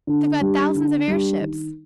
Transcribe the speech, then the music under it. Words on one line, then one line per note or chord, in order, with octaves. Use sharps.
They've got thousands of airships.
D3
G3 D4 G4
D3
G3 D4 G4
D#3